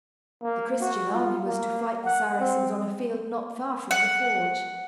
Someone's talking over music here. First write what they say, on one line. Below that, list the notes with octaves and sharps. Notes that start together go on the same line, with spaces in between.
The Christian army was to fight the Saracens on a field not far from the forge.
A#3
F#4
F4
A#3
F#5
C4
F#5